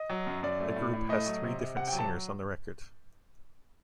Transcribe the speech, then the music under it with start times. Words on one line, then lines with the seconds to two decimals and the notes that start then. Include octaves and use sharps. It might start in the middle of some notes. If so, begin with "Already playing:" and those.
The group has three different singers on the record.
Already playing: D#5
0.10 F#3
0.27 F#2
0.43 F#2 D5
0.60 A3
0.76 A2
0.93 A2
1.09 A3 D#5
1.26 F#3
1.43 C3
1.59 C3
1.76 C3 F#5
1.88 F#3 G5
1.99 A5